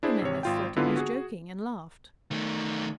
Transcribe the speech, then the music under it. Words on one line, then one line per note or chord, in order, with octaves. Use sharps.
Jimenez thought he was joking, and laughed.
D4 E4 G#4 C5
G#1 C3 C#5
G#1 F4 G5
G#1 D3 B3 E4 F4 B4
F#4 G#4
D#3 A3